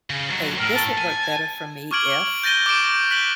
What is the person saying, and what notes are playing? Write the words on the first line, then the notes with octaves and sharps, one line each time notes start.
"Hey, this would work better for me if"
C#3
D#2 F#3
A2 A#4
A5
G#5
A5
C#6 D6 F6 G#6 D7 F#7
G6 A6 A#6 D#7 G7
D6 G6 A#6 D7 E7
F#6 B6 F#7 G7